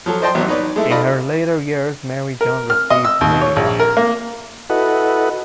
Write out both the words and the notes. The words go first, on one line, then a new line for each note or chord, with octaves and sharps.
In her later years Mary John received many honors.
F3 F#3 A4
C5 D5 D#5 G5 A5 C6
A1 F#3 B3 E4
D#4 B4 C#5 D5
G#3 A3 E4
D#4 F4 A4 D5 D#5 B5
A#4
F6
D#5
E6
D#2
C#5
A#1
A#4
A#3
E4 F#4 A4 B4 D#5 F#5